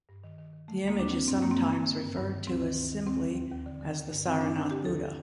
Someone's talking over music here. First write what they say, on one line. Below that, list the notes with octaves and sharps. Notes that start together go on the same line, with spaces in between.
The image is sometimes referred to as simply as the Saranath Buddha.
G2
D#3
D#3
D#3
D3 A3
D#2
A#3
D#2 D4
D#2 C4
G2 C4
G2 A#3
C4
G2 A#3
D3 A#3
D#3
G2
G2
D#3
D2 C4
D#3
D2
D#3
D#2 C4
D#2
D#2
D#2
D3
D3
D3
G2
G2 C4
G2 D4
D3 D4
D3 G4
D#2 A4
D3